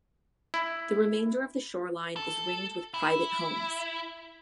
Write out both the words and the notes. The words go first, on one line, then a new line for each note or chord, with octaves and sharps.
The remainder of the shoreline is ringed with private homes.
E4
A4
E4